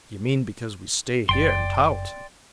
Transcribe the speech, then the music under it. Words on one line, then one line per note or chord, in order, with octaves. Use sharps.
"You mean because we stay here in Tarleton?"
F#1 D5 G5 C6